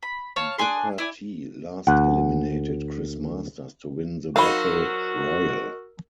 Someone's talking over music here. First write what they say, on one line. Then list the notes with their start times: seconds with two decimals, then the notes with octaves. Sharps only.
Booker T last eliminated Chris Masters to win the Battle Royal.
0.03 B5
0.36 C#5 F5 A5
0.58 D4 G#4 G#5 C6
0.98 E4 D5 G#5
1.87 D2 F#5
4.36 F#3 D#4 F#4 A#4 C5 F5 B5 E6